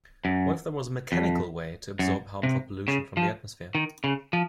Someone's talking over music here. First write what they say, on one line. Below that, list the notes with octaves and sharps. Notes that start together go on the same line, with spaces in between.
What if there was a mechanical way to absorb harmful pollution from the atmosphere?
F#2
F2
F#2
C3
C#3
F3
D#3
C#3
F3